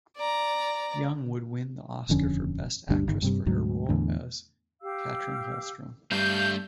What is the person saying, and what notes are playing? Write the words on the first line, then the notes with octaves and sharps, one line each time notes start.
Young would win the Oscar for Best Actress for her role as Katrin Holstrom.
D5 A#5
D#1 F2 D3 C#4
G1 D2 G3 D4
G1 D#3
G2 C3 G3
D2 G#2 F#3
E2 A2 D3
G4 F5 E6
G2 A3 F5 A5 G6